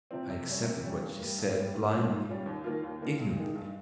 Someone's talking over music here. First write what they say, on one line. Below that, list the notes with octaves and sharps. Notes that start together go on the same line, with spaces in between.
I accepted what she said blindly, ignorantly.
C3 F3 C4
C3
G3 C#4
C3
G3 C#4
G2
G3 A#3
G2
A#3
G3
G#2
G3 C#4 F4
G#2
G3 C#4 F4
D#2
D#3 A#3 F4
D#2
D#3 A#3 F4
G2
D#3 G#3
G2